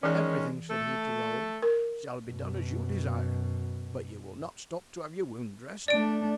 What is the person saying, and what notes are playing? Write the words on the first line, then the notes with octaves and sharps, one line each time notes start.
"Everything," said he to Raoul, "shall be done as you desire; but you will not stop to have your wound dressed?"
D#3 E3 G#3 C#4 G#4
A3 A4
A#4
F#2 B2
A3 D4 D5 D7